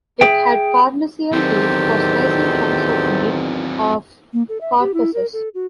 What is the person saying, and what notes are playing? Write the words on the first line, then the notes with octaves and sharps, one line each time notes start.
It had carnassial teeth for slicing chunks of meat off carcasses.
G#4 E5 G5
E2 D#3 F#3 C4 G4 A4 C5
A#3
A4
E5
G4
E4
A#4
A4
F#4